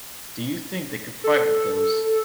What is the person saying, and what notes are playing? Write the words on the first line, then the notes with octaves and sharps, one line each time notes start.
Do you think they could fight with those?
A4